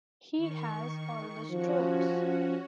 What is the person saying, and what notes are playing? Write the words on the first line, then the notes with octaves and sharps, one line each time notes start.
He has all the strokes.
D#3 C#6
F3 C#4 F#4